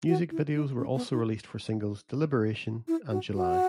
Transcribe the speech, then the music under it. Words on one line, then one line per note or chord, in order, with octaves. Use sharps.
Music videos were also released for singles "Delibration" and "July".
F#4
E4
D#4
C#4
B3
D#4
E4
F#4
F#4